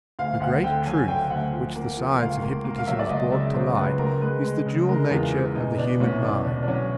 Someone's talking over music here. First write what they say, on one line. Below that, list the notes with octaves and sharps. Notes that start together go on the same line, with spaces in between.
The great truth which the science of hypnotism has brought to light is the dual nature of the human mind.
D2 F5
F5
D2 F#5
D3 G5
F#3 G#5
D3 G5
D2 F#5
F3
A#3
F3
C#2 F5
A#3
A#3
F5
F#3 E5
D5
C#2 D#5
C#3 E5
F#3 C5
C#2 B4
C#2 A#4
G#3 B4
G#3
C#3
G#3 A#4
E2 F4
E3 E4
B2 D#4
B2 D4
C2 C#4
D#4
B2 D4
B2 D4
D4
F#3 C#4